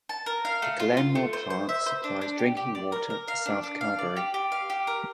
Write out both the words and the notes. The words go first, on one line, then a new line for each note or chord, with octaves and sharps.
The Glenmore plant supplies drinking water to south Calgary.
A5
A#4
F5
A3
F4
F4
A3
C5
C5
E5
C5
D4
D4
G4
G4
D5
A#4
A#4
F5
D4
D4
F5
D5
G4
G4
F5
G4
A#4